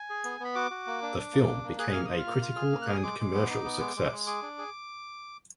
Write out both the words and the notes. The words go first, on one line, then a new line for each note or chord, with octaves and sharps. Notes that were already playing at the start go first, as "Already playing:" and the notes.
The film became a critical and commercial success.
Already playing: G#5
G#4
B3
B3 B5
F#4 D6
F#4
A#3
D4
D4
A#3
D4
A#3
G#4 F#6
A#3 F6
D#6
F4
F6
A#3
F4
G#4
A#3
F#6
G#4 F6
D#6
G#3 D6
G#3
B3
D#4
B3
G#3
G#3
G#3
G#4 D6
D4
G#4